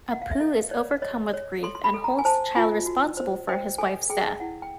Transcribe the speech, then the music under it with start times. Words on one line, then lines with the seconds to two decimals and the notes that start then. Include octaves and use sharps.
Apu is overcome with grief and holds the child responsible for his wife's death.
0.12 F#5
0.22 F5
0.31 E5
0.40 A4 D#5
0.71 C#5 D5
1.02 C#5 D#5
1.33 C#5
1.63 A4 C6
1.75 C6
1.84 B5
1.94 A4
2.04 A#5
2.19 G#5
2.25 C5 A5
2.55 F4 G#5
2.86 F#4
3.17 C5
3.49 C5 G5
3.78 A4 G#5
4.10 G#4 G5
4.40 E4 F#5
4.62 G5